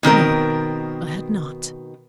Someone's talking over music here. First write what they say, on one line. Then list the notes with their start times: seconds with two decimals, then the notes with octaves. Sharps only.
No, I had not.
0.03 B2 D#3 C4 A#4